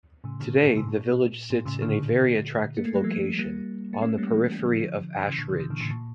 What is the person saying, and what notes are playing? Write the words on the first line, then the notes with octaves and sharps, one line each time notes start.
Today the village sits in a very attractive location, on the periphery of Ashridge.
A2 C#3
A#2 D3
A#2
A2 C#3
A#2
A2
A2 C#3
A#2 D3
A#3
A3
G3
F3 A3
G3 A#3
A#3
A3 C#4
G3 A#3
E3 G3
E3
D3 F3
C#3 E3
A#2 D3
C#3 E3
C#3 E3
A#2 D3
A2 C#3
A#2